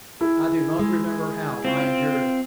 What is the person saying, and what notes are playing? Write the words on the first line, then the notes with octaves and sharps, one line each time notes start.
I do not remember how I endured it.
E4 G#4
G#3
C4 F4